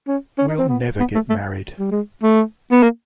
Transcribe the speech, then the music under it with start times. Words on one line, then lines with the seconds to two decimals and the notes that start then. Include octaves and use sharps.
We'll never get married.
0.08 C#4
0.38 C#4
0.49 D#4
0.58 C4
0.69 B3
1.00 B3
1.15 A3
1.30 A3
1.79 G3
1.92 G#3
2.23 A3
2.72 B3
2.83 A#3